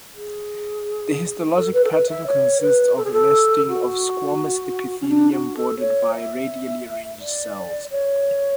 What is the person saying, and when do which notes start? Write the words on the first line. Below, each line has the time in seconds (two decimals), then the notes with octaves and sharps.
The histologic pattern consists of nesting of squamous epithelium bordered by radially arranged cells.
0.14 G#4
1.56 A4
1.73 B4
1.84 A4
1.91 B4
2.09 E5
2.26 C#5
2.61 B4
2.96 A4
3.04 G#4
3.12 A4
3.68 F#4
5.01 C#4
5.08 D4
5.32 F#4
5.56 A4
5.79 C#5
6.15 E5
7.20 D5
7.91 C#5